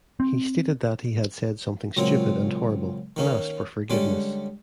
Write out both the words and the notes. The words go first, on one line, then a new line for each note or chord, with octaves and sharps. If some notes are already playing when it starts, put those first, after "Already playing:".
He stated that he had said something stupid and horrible and asked for forgiveness.
C4
C#2 A#2 F#3 C4
D#3 A#3 C#4
D3 G3 G#3 C#4 D5